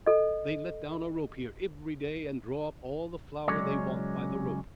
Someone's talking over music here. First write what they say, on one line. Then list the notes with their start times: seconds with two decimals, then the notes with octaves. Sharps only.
"They let down a rope here every day, and draw up all the flour they want by the rope."
0.06 A4 D#5
3.48 C#2 F#3 G#3 C#4 C#5 D5